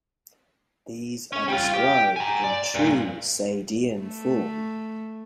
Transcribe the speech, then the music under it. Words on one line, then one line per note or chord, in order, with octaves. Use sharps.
These are described in true Sadean form.
C#4
G3 F4
G4
G#5 A#5
D5
G2 A#2
A3